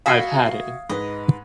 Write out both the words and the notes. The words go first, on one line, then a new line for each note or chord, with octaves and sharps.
I've had it.
F#4 E5 F5 B5 D#6 G#6 C7
G#2 B4 D#5 B5